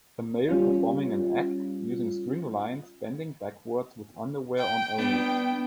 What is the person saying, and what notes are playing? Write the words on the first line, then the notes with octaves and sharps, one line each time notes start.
A male performing an act using string lines bending backwards with underwear on only.
G3 C#4 F4
G5
B3 D4 G5